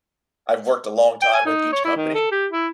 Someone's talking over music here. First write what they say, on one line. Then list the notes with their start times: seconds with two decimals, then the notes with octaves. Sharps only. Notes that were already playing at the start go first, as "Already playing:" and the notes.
I've worked a long time with each company
1.22 G5
1.34 G#5
1.46 D#4
1.73 C#5
1.85 E4
1.97 D#3
2.15 A4
2.32 G4
2.52 E4